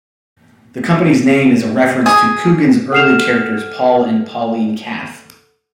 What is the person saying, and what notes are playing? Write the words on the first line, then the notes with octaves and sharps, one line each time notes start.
The company's name is a reference to Coogan's early characters Paul and Pauline Calf.
G#4
A4 F#5 F6 C7 E7 F7